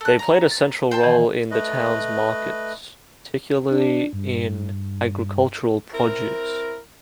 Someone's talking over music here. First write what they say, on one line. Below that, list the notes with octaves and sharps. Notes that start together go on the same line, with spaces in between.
They played a central role in the town's markets, particularly in agricultural produce.
A4 F#6
A#5
A6
C5 G5 A5
D#3 E3 D#5
A3 B4 D#5
D4
G2
C4 E4 A#4